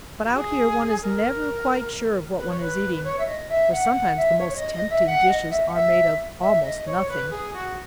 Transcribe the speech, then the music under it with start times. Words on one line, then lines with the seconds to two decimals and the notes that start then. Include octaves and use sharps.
But out here one is never quite sure of what one is eating, for sometimes the most tempting dishes are made of almost nothing.
0.25 F#4
0.35 G#4
1.02 A#4
2.37 B4
2.49 C#5
2.60 B4
3.04 C#5
3.19 E5
3.26 D#5
3.49 E5
3.72 F#5
3.94 F#5
4.17 E5
4.39 C#5
4.50 C#5
4.56 D#5
4.73 D#5
4.90 E5
5.07 F#5
5.29 D#5
5.51 E5
5.68 F#5
5.74 E5
6.41 E5
6.63 D#5
6.86 C#5
7.09 B4
7.31 G#4
7.53 F#4